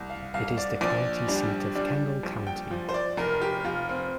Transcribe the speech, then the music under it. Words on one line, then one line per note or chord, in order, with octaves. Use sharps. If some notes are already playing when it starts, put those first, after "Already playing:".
It is the county seat of Kendall County.
Already playing: C2
F5
C2 F5
D5
A#1 D5
G3 D4
G3 D4
A#1
G5
F3
C5
D5
F1 A#4
G4
F1 F4
C4